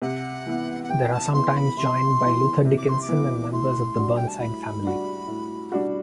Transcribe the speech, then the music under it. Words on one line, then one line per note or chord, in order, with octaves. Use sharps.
They are sometimes joined by Luther Dickinson and members of the Burnside family.
C3 F#5
E3 B3
F#5
C3 G5
A5
E3 B3 C6
B5
C3 C6
E3 B3
C3
D6
C6
D6
E3 B3
A2 C6
G3 D4 F#4
G5
A5
A2 B5
G3 D4 F#4
A2
G3 D4 F#4